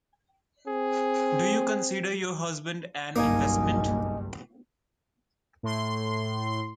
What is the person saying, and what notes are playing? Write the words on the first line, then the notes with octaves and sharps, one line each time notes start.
Do you consider your husband an investment?
C4 G#4
F#1 B1 G2 A#3 D#4 D#5 G#5
A2 C6